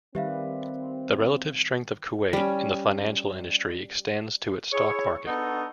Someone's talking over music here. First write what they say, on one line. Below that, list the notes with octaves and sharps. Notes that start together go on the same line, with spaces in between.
The relative strength of Kuwait in the financial industry extends to its stock market.
D#3 G3 C4 G4 B4 E5 F5
G3 C#4
E4 G#4 C#5
B3 D4 D#4 F#4 A4